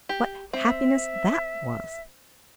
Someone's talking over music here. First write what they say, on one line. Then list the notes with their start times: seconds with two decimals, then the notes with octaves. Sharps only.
What happiness that was!
0.09 G4
0.53 C4 E5